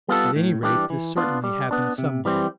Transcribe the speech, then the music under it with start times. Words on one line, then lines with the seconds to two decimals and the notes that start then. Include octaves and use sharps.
At any rate this certainly happened somewhere.
0.08 G3 B3 F4 A4
0.36 A2
0.63 E3 G3 D4 G4
0.90 E3
1.17 B3 D4 F4
1.44 G3
1.71 B3 D4
1.98 C3
2.25 E3 G3 C4